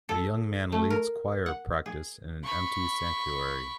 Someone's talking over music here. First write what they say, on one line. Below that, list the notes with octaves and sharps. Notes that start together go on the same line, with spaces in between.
A young man leads choir practice in an empty sanctuary.
A4
A3
A#4
F#5
G#4
B5 C#6